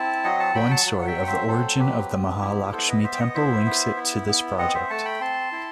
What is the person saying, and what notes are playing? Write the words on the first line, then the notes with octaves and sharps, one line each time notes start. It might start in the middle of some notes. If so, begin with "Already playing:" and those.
One story of the origin of the Mahalaxmi temple links it to this project.
Already playing: C4 E4 A5
F#3 D#5 F#5
F#5 A5
F#3 G5 B5
F#5 A5
F#3
F#5
E5 G5
C4 F#5
C5 E5
F#3 A4 C5
C4 G4 B4
B3 G4
E4 G4
B3 A4 C5
B4 D#5
B3 C5 E5
G5
D#5 F#5
E4 C5 E5
B3
E4
B3
C4 D#5 F#5
C5 E5
A3 F#5 A5
G5 B5
C4 A5 C6
E4